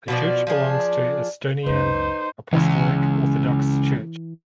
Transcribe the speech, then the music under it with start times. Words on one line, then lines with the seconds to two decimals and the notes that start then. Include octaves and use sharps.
The church belongs to Estonian Apostolic Orthodox Church.
0.08 B2 F3 D5
0.47 F3 D4 G#4
1.66 C#2 F#2 D#4 B4 C5
2.53 C#2 E3